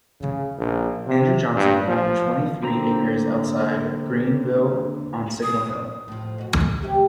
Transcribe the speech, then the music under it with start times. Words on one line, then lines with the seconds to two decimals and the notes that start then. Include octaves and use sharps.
Andrew Johnson owned twenty-three acres outside Greeneville on Signal Hill.
0.21 C#3
0.58 A#1
1.06 C3
1.56 G2
1.87 F3
2.63 D3 A#3 C4 C5 A#5
5.43 D#6
6.08 A2 F3
6.38 B2 F#4
6.82 C3 A3 G4